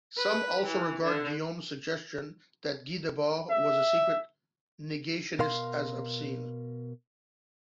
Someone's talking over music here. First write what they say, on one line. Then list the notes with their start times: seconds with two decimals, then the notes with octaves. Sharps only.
Some also regard Guillaume's suggestion that Guy Debord was a secret negationist as obscene.
0.18 B4
0.66 E3
1.02 D3
3.50 E5
5.39 B2 A#4 F5 C6